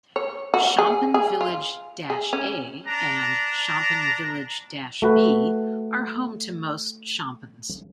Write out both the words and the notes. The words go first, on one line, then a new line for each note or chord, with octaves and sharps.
Shompen Village-A and Shompen Village-B are home to most Shompens.
C#5
F#4
G#4
G#4
F4
G#4
C#4
D4 A#5
A3 F#4 B4